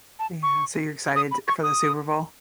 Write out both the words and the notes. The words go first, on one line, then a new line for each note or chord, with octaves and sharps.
Yeah. So you're excited for the Super Bowl?
A5
C#6
D#6
B5
C#6
D#6